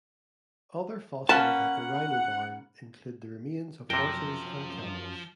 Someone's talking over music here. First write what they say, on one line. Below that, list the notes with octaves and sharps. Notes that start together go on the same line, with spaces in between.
Other fossils at the "Rhino Barn" include the remains of horses and camels.
A#3 C#4 B4 F#5 A5
F#2 C3 F3 A#4 G5